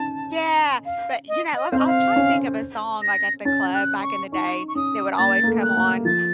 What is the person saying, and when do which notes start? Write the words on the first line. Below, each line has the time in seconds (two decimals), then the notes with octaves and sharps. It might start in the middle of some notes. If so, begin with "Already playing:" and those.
Yeah, but you know I I was trying to think of a song, like, at the club back in the day that would always come on
Already playing: C#4 D#4 A5
0.85 F5
1.28 D#5
1.56 D#5
1.71 C4 F5
1.79 D#5
1.87 F5
2.16 C#4
3.02 A#6
3.45 C#4 A6
3.74 F#6
4.03 C#6
4.32 D#4 C#6
4.68 C#6
4.75 C#4 D#6
5.19 A#3 A6
5.43 A#3
5.48 A3
5.62 F#6
5.77 A#3
6.05 F3 A6